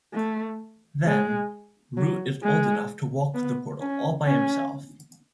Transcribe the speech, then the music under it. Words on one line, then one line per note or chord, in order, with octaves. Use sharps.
Then, Root is old enough to walk through the portal all by himself.
A3
G#3
F#3
G#3
B3
C#4
C#4